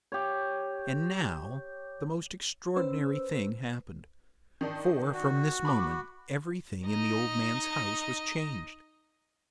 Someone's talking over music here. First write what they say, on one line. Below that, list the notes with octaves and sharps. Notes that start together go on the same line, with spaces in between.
And now the most extraordinary thing happened, for from this moment everything in the old man's house was changed.
G4 C#5
C#4 B4 C5 E6
D#3 D4
F#4
B5 C#6 D6
D#4 D#5